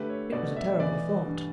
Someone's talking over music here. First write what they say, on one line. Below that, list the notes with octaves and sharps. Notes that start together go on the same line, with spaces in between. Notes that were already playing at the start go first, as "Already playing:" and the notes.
It was a terrible thought.
Already playing: D3 A3 G4 B4
C#5
B2 D5
E5
E3 D5
G2